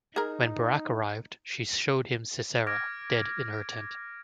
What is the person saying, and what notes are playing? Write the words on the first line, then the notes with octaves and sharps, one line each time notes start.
When Barak arrived, she showed him Sisera, dead in her tent.
D#4 G#4 A#4
D6 F6 G#6 A#6 D7